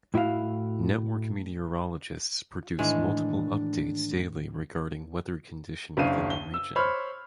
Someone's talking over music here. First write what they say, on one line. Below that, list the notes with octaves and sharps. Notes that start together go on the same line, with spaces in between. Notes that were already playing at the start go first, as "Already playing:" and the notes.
Network meteorologists produce multiple updates daily regarding weather condition within the region.
A2 E4 F#4 F5
A2 D#3 E3 G#3 D4
F#1 C#3 D4 F5 D#7
G7
E6
C5 C#5 B5 F6